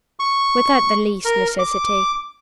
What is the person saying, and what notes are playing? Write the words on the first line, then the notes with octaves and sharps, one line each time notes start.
"Without the least necessity."
C#6
A#4
D6